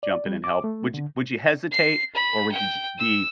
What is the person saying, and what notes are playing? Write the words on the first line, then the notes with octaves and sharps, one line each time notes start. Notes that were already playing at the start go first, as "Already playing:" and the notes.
jump in and help- would you would you hesitate or would y be
D5
G3
D6
A3
D3
C7
B5
G5
E6